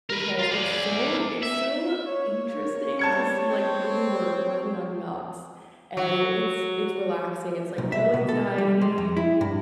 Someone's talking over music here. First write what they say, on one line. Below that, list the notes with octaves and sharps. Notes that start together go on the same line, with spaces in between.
because it's so it's so interesting to see, like, people who were working on yachts and it's it's relaxing, it's like no anxiety,
A#4 B4
F4 F5
G#4 D5
E5
C#5
A#3
G3 A5 G#6 C#7
C4
F#3
B1
E5
B2
A4
G3
G#3
F2
E4
G2